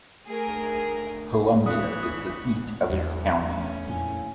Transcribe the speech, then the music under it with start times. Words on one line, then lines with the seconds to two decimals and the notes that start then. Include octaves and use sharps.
Columbia is the seat of its county.
0.25 A3 G#4 A#4
1.66 E3 F#5 B5 C#6 D#6 F#6
2.03 D#6
2.90 E2
3.44 A3 C#4
3.88 F2 A#2 E4 F5 G#5